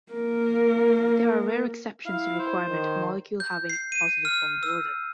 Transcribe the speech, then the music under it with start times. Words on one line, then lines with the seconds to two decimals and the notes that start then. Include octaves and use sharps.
There are rare exceptions to the requirement of molecule having a positive bond order.
0.12 A#3 A#4
2.06 E4 F5
2.39 C5
2.69 D#3
3.40 G6
3.69 C7
3.92 D#7
4.25 F6
4.63 E6